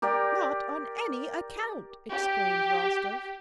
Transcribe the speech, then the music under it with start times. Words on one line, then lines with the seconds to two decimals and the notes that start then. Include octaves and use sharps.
"Not on any account!" exclaimed Rostov.
0.02 G4 A#4 D5 G5
2.11 G4